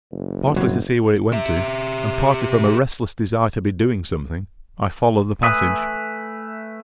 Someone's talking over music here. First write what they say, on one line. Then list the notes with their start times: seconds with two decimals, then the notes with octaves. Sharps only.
Partly to see where it went to, and partly from a restless desire to be doing something, I followed the passage.
0.12 F#1
0.56 G2 C3 F#3
1.33 G4 E5
5.43 A3 B4 E5 G#5 D#6